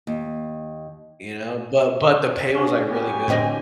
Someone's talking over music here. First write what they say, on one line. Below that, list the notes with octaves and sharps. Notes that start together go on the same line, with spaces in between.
you know, but but the pay was, like, really good,
D#2
C#4 D4 F#4
B3 G4 G#5
A2 D3 A3 C4 D#5 A#6